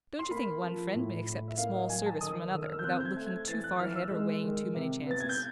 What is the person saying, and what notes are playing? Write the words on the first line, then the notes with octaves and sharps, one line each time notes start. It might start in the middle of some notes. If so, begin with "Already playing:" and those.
Don't you think one friend may accept a small service from another without looking too far ahead or weighing too many chances?
C6
A#3 B5
F3
A2
A2
E5
A#3 F5
D#5
F#3 G#5
A5
D#3 D#6
D#3 E6
F6
E6
G6
C4 F#6
G6
G#6
A3
G#6
E3 A6
F#6
E3 F6
E6
G#3
D#3
C3
B3 A6
G#6
G6